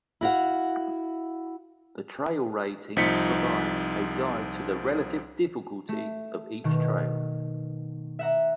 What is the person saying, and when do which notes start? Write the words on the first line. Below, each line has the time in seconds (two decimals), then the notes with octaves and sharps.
The trail ratings provide a guide to the relative difficulty of each trail.
0.21 E4 F#4 F5 F#5
2.96 C2 F3 D#4 B6 C#7
5.89 A3
6.64 B2 D#3
8.19 E5 F#5 A#5